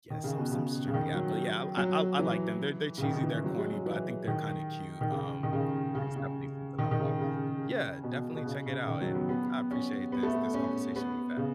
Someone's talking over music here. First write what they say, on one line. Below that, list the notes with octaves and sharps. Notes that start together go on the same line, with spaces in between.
Yeah, some some streaming app, but yeah, I l I I I like them. They're they're cheesy, they're corny, but I think they're kinda cute, um, it's definitely something I've watched. Yeah, definitely check it out, and I appreciate this this conversation we've had.
D#3
C#3
B2
C#3
C#3
D#3
F#3
F#3
E3
C#3
D#3
D#3
E3
F#3
G#3
F#3
E3
D#3
D#3
C#3
D#3
C#3
C#3
C#3
D#3
D#3
C#3
C#3
B2
B2
C#3
C#3
D#3
F#3
B3
B3
C#4
B3
A3
B3
C#4
B3
C#3